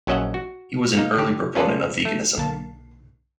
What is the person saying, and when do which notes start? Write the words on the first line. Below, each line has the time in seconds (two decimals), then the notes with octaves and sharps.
He was an early proponent of veganism.
0.07 A#1 F#3 C#4 D#5 E5 F#5
0.34 F#4
0.97 A#3 D#4
1.17 D3 G4
1.55 C#4 F4 G#4 A4 B4 D5
2.05 A3
2.37 B1 D3 A#3 A5